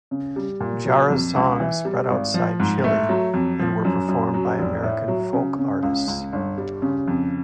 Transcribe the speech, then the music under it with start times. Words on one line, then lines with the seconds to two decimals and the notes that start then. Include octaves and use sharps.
Jara's songs spread outside Chile and were performed by American folk artists.
0.11 C#3
0.36 G3
0.60 A#2
0.85 F#3
1.10 F2
1.36 C#2
1.60 E3
1.85 G3
2.10 G#1
2.34 F3
2.60 G#2
2.84 A3
3.09 F#3
3.34 F2
3.59 F3
3.85 F#2
4.08 F#2
4.34 F#3
4.59 F1
4.83 A2
5.08 F#3
5.33 C#3
5.59 C#3
5.83 C#2
6.08 C#2
6.33 G1
6.58 G3
6.82 C#3
7.08 F2